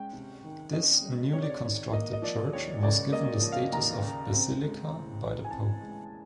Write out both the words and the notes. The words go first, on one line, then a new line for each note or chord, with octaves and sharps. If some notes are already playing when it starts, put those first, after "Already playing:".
This newly constructed church was given the status of basilica by the pope.
Already playing: G#3 C#4 G5
C3
D#3
C#4 D#5
G#3
C3 C#5
D5
C#5
D#3 D5
A#3 D#5
D#5
F3 D5
D#2 C#5
C#3 D5
A#3 D#5
F3
F5
D#2 A#5
C#3
C4
G#3
A2
E3
G#5
C4 A5
G#3